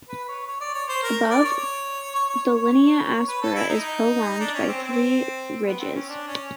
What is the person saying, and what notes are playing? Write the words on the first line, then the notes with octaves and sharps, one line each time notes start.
Above, the linea aspera is prolonged by three ridges.
B4
C#5
C#5
D5
C#5
C5
A#4
D5
C#5
C#5
C#5
C#5
C#5
B4
A4
E4
D#4
D4
C#4
C4
C4
B3
C4
C#4
D4
C#4